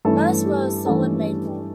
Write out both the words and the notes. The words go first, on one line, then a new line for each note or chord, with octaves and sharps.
Most were solid maple.
G2 E3 A3 C#4 E4 A4
G4
G2 E3 A3 C#4 E4 A4